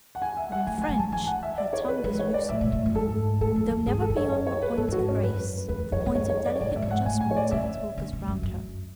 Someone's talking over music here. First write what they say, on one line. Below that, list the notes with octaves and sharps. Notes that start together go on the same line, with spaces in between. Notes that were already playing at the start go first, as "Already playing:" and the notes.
But in French her tongue was loosened, though never beyond the point of grace, the point of delicate adjustment to the talkers round her.
F#5
G#5
E5
F#5
A3 G#5
G#3 G#5
F#3
G#3 A5
E3 G#5
F#5
E5
D5
C#5
B4
G#3 B4
C#5
D5
A2 E5
B2
A2
F#2
G#2 A4
A2 A4
F#2
E2
G#2 G#4
F#2
E2 A4
F#2
C#5
C#5
C#5
B4
G#2 A4
F#2 F#4
G#2
C#4
F#2 B4
E2 B4
F#2 C#5
G#2
F#2 C#5
C#5
D5
C#5
G#2 D5
F#2 E5
G#2
F#5
A2 G#5
G#5
C#5
D5
C#3 E5
D3
C#3
F#2
F#2